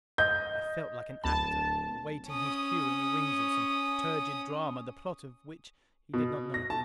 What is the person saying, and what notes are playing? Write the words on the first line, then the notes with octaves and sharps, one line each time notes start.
I felt like an actor awaiting his cue in the wings of some turgid drama the plot of which he did not know.
D#5 G6
D1 D2 A5 B5
C#4 D#6
B2
A#6
A5